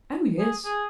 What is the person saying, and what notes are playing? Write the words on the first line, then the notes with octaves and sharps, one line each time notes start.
"Oh, yes."
G#4
G#4